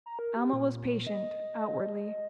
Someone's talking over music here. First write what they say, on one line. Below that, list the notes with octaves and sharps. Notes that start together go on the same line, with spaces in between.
Alma was patient--outwardly.
A#5
A#4
G4
A#2
D#5